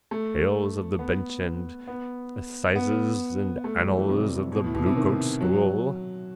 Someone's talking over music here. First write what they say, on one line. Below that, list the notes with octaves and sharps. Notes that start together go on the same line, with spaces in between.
Tales of the bench and assizes and annals of the bluecoat school.
A3
B3
B3
B3
A3
G3
F#3
E3
C3
B2
A2
B2
C3
D#3
F#3